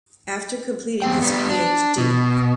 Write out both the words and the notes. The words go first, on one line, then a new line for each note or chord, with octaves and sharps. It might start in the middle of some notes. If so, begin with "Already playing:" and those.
After completing his PhD.
E2 B3 C4 G5
G3 B3
D4
B2